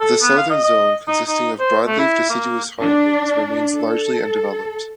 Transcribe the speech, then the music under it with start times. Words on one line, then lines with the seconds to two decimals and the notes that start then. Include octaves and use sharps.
The southern zone consisting of broadleaf deciduous hardwoods remains largely undeveloped.
0.01 A4
0.22 B3
0.38 F5
0.50 D#5
0.64 D#5
1.08 D#4
1.28 D#4
1.60 C5
1.87 A3
1.99 E4
2.30 A#3
2.82 D4
3.76 A4